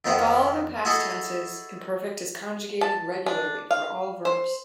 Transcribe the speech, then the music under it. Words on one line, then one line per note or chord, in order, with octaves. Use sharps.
Like all other past tenses, imperfect is conjugated regularly for all verbs.
F2 D#3 B3 C5 F#5
E4 F#4 G#4 A4 D#5 F#5
A5
D4
F5
C5